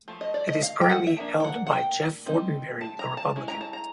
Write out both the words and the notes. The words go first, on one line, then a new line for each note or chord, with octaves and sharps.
It is currently held by Jeff Fortenberry, a Republican.
F3 A3
D#5
D5
D#5
F5
G5
F#5
E5
F3 A#3 D4
G5
F#5
F#5
G5
G3 C4 D#4
A5
A#5
A5
G#3 C#4 E4
A#5
A5
A#5